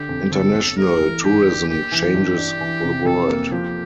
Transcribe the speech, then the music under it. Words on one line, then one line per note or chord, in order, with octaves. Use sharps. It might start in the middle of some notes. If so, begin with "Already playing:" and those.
International Tourism changes the world.
Already playing: D3 G4
F2
G1 A4
G1
A3 A#4
E3
G2 G4
D4
A#3 G4
E3
G2
D4
E3
C3
F2 A4
A#3
F3 G4